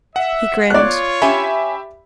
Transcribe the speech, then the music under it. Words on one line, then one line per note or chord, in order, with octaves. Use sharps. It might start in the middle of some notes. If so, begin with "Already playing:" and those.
He grinned.
E5 F#5
F4 C#5 D5 F#6
C#4 G4 E5 G#5 B5